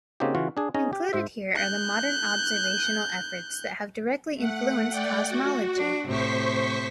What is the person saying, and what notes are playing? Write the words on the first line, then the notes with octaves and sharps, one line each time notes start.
Included here are the modern observational efforts that have directly influenced cosmology.
C#3 A#3 C4 D#4 F#4 G4
C#3 E3 F4 F#4
D4 G#4
C#4 D#4 G#4 A#5
G4
G#2 C5 E5
F#6 G6
A3 F#5
D5 F#5 G5
F#4
D4
A2 C3 C5 C#6 B6